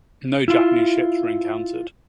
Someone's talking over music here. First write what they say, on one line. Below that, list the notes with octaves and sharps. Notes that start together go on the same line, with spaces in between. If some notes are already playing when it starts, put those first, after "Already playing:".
No Japanese ships were encountered.
E4 F4